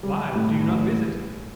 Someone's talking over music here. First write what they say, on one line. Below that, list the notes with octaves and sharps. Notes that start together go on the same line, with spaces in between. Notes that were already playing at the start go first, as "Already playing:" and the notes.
Why do you not visit her?
G3
A2
A1